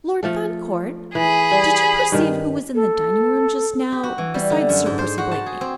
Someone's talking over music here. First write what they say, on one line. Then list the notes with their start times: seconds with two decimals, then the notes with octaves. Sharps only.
"Lord Fancourt, did you perceive who was in the dining-room just now besides Sir Percy Blakeney?"
0.23 F3 A3 A4
1.15 E3 G#4 B5
1.51 G3
2.12 G2 D#3
2.75 A4
3.92 G4
4.03 F#4
4.18 E3
4.34 G3
4.50 D3
4.69 F#2
4.86 G#2
4.99 C5
5.18 F#4
5.31 A5
5.46 G#4
5.61 C4